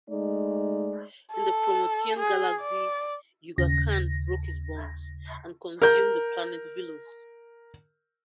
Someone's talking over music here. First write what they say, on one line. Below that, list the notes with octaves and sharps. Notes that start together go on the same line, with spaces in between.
In The Promethean Galaxy Yuga Khan broke his bonds, and consumed the planet Velos.
G#3 A3 D#4 D5
A4
G#4
D5
D#2 C#3 A#6
A#4 G6